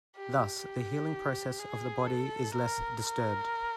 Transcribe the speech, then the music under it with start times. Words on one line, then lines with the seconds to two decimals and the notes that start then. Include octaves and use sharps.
Thus, the healing process of the body is less disturbed.
0.16 G4
0.63 G4
1.59 G#4
2.07 A4
2.55 A#4
3.03 A#4